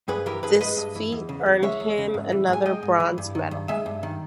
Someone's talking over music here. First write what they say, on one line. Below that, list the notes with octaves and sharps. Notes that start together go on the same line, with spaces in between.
This feat earned him another bronze medal.
G2 G#4 B4
E3 G4 A#4
G2 G#4 B4
G#3 B4 D#5
G2
E3
E2
C#3
E2
G#3 C#5 E5
E2
C#3
G#2
E3
G#2 G#5
G#3 D#5 G5
G#2
E3
G2
D#3
G2
G#3 E5 G#5
G2
D#3